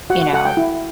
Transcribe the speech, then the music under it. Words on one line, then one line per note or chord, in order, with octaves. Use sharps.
you know,
F#4 F#5
F#5
A4 F#5
G5
E4